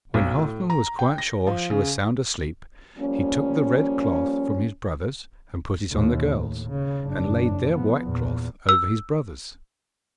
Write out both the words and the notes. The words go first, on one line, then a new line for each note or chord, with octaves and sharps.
When Halfman was quite sure she was sound asleep, he took the red cloth from his brothers and put it on the girls, and laid their white cloth over his brothers.
B1
A2
A#5
G5
A#6
F3
C#3
F3 G3 A#3 C#4
D#2 A#2
A2
C#3
F#1 D4
F3 B3
E2 A#2
E6